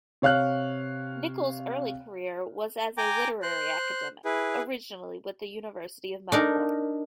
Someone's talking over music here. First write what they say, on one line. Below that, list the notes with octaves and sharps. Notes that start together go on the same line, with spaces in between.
Nicholls' early career was as a literary academic, originally with The University of Melbourne.
C3 C#5 F5 F6 F#6
G5 G#5 A#5 D6
C5 F#6
E4 G#4 B4
D4 D#4 A#4